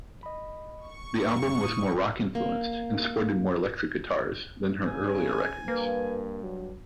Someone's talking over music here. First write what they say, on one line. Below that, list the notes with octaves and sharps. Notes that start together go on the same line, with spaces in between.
The album was more rock-influenced and sported more electric guitars than her earlier records.
D#5 B5
C#6
F#2
A2 D#6
A#3
C#3 G#5
G2 A#3 B4
F#3